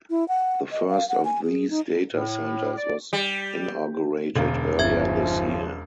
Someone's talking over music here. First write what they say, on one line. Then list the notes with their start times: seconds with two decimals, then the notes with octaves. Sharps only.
The first of these data centres was inaugurated earlier this year.
0.10 E4
0.28 F#5
0.72 D#5
0.89 F5
1.09 F#5
1.25 G#5
1.44 G#4
1.70 D#4
2.14 A2
2.76 D5
3.13 G3
4.36 E1 F#2 B2 D3 F5
4.79 G1 D#2 C#3 F3 E5 G#6